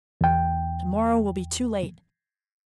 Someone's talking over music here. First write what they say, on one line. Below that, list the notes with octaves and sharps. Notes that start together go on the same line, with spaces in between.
"To-morrow will be too late."
E2 G5